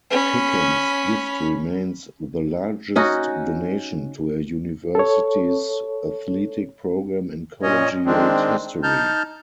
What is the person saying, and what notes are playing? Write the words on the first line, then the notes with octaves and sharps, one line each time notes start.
Pickens' gift remains the largest donation to a university's athletic program in collegiate history.
C#4 B5
C#4 D#4 F#4
A4 C#5
A#2 C#4 C#5 D#5
D#3 G#3 C4 D4
D#4 A5 F6 G6